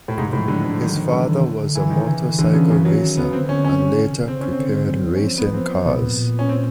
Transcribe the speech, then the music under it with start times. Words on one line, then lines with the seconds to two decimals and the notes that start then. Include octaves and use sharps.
His father was a motorcycle racer and later prepared racing cars.
0.08 A2
0.17 G#2 C3
0.28 C3
0.33 A2
0.38 F3
0.48 D3 F#3
0.59 F3
0.64 D3
0.70 F3
0.80 D#3 F#3
0.89 D3
0.96 D#3 F3
1.12 D3 F#3
1.20 F3
1.28 E3
1.36 D#3
1.44 D3
1.75 E3
1.90 D#3
2.06 C#3 E3
2.22 D3
2.38 D3 E3
2.54 C#3
2.70 C#3
2.85 F#3
3.01 D#3
3.17 D3 B3
3.33 D3 C4
3.49 C#4
3.64 C#4
3.96 D3
4.12 C#3
4.28 C#3 C4
4.41 C#4
4.53 C4
4.59 D3
4.91 F#3
5.07 F3
5.15 C#4
5.22 F3 C4
5.38 B3
5.54 F3 C4
5.85 B2 B3
6.02 A#2
6.17 A#2
6.39 C#4
6.49 C4